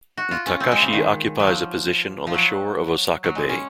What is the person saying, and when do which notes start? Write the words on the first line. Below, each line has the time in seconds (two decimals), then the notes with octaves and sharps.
Takaishi occupies a position on the shore of Osaka Bay.
0.17 F#4
0.31 F4
0.46 C#4
0.60 C4
0.72 G#3
0.82 C#3
0.93 D#3
1.40 F#3
1.47 F3
2.27 F3
2.34 F#3
3.24 F#3
3.35 G#3
3.49 C#4